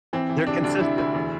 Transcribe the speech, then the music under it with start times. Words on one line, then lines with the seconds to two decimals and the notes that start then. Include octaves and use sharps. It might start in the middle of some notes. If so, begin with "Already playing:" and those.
They're consistent,
0.13 E3 C4
0.29 E3
0.47 C3 D4
0.64 D2 D4
0.80 C3 E4
0.98 D2 E4
1.14 E2